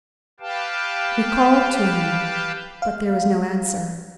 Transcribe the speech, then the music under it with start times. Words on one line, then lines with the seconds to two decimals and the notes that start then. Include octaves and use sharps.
We called to him but there was no answer.
0.40 G4 B4 F5 G5 A5
2.82 F5